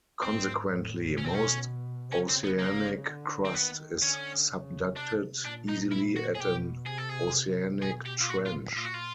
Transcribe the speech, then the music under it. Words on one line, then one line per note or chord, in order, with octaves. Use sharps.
Consequently, most oceanic crust is subducted easily at an oceanic trench.
G#2 C4
A2
B2 C#4
C4
C#4
C#3 C#4
C4
B3
A#3
D3
C4
D#3 B3
D3 C#4
C#3
C3 D4
A#2 D4
D#4
E4
F#4
G#4
B2 G4
C3 G#4
A4
G#4
B2 G#4
G4
F4
A#2 F#4
F4
A#2 F4
F#4
F4